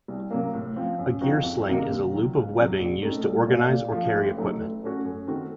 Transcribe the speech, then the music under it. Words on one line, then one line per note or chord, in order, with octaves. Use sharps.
A gear sling is a loop of webbing used to organize or carry equipment.
C2
C3 F#3 A#3
A2
F3 C4
F#2
F3 C4 D#4 F#4
F2
C3 D#3 A#3 D#4
D#2
D#3 F#3
C#2
C3 F#3
A#1
A2 A3 C4 D#4
C2
A#2 A3
A#2
F3 A3
A1
A2 F#3 A3 D#4
A1
A2 A3 C#4 F#4
F#2
D#3 A3 C4 F#4